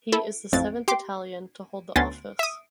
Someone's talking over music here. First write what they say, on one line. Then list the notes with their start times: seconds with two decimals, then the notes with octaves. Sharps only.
He is the seventh Italian to hold the office.
0.12 E4 A4
0.53 A1 F2 A6
0.88 G4 C6 D6
1.96 D2 B3 C#4 C6 A6
2.39 E5 D#6